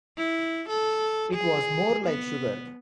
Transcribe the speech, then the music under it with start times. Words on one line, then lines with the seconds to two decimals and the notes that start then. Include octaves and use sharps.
It was more like sugar.
0.17 E4
0.69 A4
1.34 G#4
2.07 B3